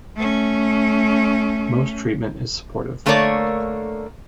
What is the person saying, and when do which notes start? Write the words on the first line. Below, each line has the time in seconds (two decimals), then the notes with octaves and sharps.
Most treatment is supportive.
0.16 A3 C#4
3.06 D3 A3 A#3 A#4 C#5 D5